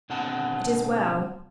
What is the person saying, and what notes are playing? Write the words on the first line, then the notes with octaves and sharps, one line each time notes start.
It is well.
B2 D3 C4 F#4 F#5 A5